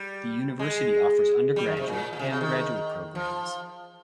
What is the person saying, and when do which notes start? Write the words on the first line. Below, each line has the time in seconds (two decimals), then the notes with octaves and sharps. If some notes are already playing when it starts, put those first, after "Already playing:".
The university offers undergraduate, and graduate programs.
Already playing: G3
0.59 G#3
1.56 G3
1.66 D#3
1.77 C3
1.88 A#2
2.13 A#2
2.19 C3
2.30 C#3
2.41 D#3
3.15 F3